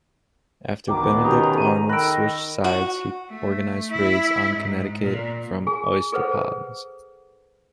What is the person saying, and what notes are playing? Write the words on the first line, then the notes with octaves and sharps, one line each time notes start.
After Benedict Arnold switched sides, he organized raids on Connecticut from Oysterponds.
D1 B2 D#3 G5 A#5 D6
D#3 C#4 G4 A#5 D#6
G#4 A4 A#5 D#7
D#3 B5 E6 F#6 A#6 D7
F#4
A3
E4
G#2
A#2
G#4 G#5
G#4 A4 B4 C5 F#5